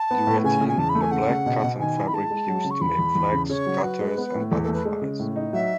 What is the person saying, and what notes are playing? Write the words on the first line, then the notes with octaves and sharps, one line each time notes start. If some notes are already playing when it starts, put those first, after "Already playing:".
Duvetyne - A black, cotton fabric used to make flags, cutters and butterflies.
Already playing: A5
B3
A2
C#3 G#5
C#3
G#5
E2 A5
B5
A3
G#5
C#3 F#5
C#3
B2
B2
D#3 G#5
E4
B5
G#3 A5
G#3
F#3
C#3
C#6
E2 B5
E2
E2
C#3
C#3 C#5
F#3
F#4 B4
G#3
B3
A2
E2 A4
A4
A3 B4
G#3
C#3
A2
D#4
F#3 E5